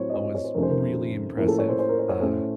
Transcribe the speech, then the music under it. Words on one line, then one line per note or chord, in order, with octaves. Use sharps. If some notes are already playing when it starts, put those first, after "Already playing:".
oh, was really impressive. Uh,
Already playing: A2 F#3 C4 C5 C#5
D#5
C#5
D#5
C#5
C5
F2 C3 D#3 A3 C#4 A#4
C5
A#4
A2 F3 A#3 C#4 A#4
A4
C#5
C5
C5
A#4
C5
C#5
A2 A3 C#4 C5